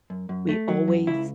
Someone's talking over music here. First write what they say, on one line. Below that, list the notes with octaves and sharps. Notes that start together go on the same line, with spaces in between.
we always,
F#2
F#2
A3
F#3
F#2
C#2 E4